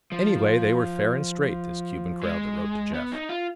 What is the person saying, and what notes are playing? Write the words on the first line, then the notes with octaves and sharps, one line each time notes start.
Anyway, they were fair and straight, this Cuban crowd that wrote to Jeff.
F3
G#3
B3
D#4
F4